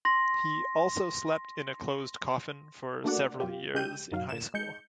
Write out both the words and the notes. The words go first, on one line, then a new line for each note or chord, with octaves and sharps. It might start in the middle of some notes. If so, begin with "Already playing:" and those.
He also slept in a closed coffin for several years in high school.
C6 A#6
A3 A#3 D4 F#4 D5 F#5
F#2 F4 G4
C#3 G#3 G4 G6 D#7
F#2 D#3 F#3 F5
A#2 E7
G#3 D#4 G6 C#7